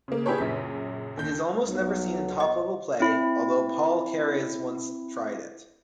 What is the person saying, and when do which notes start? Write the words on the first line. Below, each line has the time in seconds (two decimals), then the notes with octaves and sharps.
It is almost never seen in top-level play, although Paul Keres once tried it.
0.08 C#3 A#3
0.26 D4 E4 G4 G#4 B4 C#5
0.38 A#1 F#2 C#3 B6
1.17 D#2 G6
1.65 B1 F#3
2.40 D#5
3.00 C4 E4